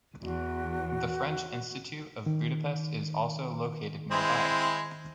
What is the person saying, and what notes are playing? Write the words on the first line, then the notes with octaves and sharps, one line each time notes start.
The French Institute of Budapest is also located nearby.
E2 F#4
D#3
G#3 C4 E4